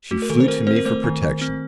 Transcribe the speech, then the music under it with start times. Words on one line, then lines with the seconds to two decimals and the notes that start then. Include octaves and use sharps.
She flew to me for protection.
0.11 A3 F#4
0.22 A#4
0.30 D#3 A4
0.40 C5
0.48 C4 A#4
0.67 C4 C5
0.76 A#4
0.85 A3 C5
1.04 D#3
1.22 D#3
1.41 C4